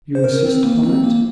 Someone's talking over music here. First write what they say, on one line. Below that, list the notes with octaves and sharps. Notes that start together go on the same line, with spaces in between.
"You insist upon it?"
C5
A#4
C4
A#3
C4
A#3